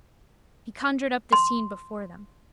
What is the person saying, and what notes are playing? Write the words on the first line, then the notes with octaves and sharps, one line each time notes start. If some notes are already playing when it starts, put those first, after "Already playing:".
He conjured up the scene before them.
C6